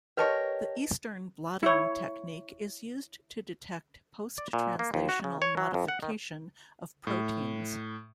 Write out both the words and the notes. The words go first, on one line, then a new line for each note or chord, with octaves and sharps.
The Eastern blotting technique is used to detect post-translational modification of proteins.
G4 A#4 B4 C#5 D#5 A5
E4 C#5
D5
A#2
A#3
D#2
F#4
C#3
C#5
F#3
F2
F#5
D#3
A2